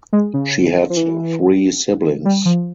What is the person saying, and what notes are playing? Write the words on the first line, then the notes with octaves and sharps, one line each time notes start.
She had three siblings.
G#3
C#3
F3
E3
G3
F3